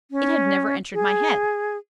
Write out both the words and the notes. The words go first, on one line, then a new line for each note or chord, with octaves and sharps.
It had never entered my head.
C#4
G#4